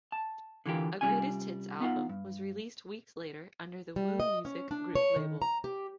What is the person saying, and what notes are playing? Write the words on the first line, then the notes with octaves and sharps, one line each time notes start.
A Greatest Hits album was released weeks later under the WuMusic Group label.
A5
D3 E3 F4 G4 A#4
C2 F2 G3 C#4 F4 G#5
B3 D#4 F4 F#5
G2
G3
D#5
C#4
D4
C#5
D#3
A#5
G4